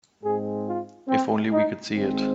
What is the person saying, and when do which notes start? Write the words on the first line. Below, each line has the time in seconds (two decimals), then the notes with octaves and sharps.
If only we could see it.
0.22 G#2 G#3 C4 G#4
0.66 F4
1.08 C4
1.52 D#4
1.94 G#1 G#2 G#3 C4